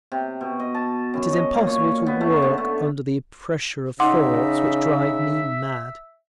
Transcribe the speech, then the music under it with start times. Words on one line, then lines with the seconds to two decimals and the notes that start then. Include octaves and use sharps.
It is impossible to work under the pressure of thoughts which drive me mad!
0.12 C3
0.41 B2
0.60 D#5
0.75 A5
1.14 F#2
1.33 D#5
1.54 A#2
1.67 C#5
2.06 B3
2.21 A3
2.42 D3
2.58 A3
4.00 C#3 D#4 E5 F#5 C6 D6